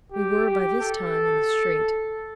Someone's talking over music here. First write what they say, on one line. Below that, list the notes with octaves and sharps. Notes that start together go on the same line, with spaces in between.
We were by this time in the street.
G4
G4
A4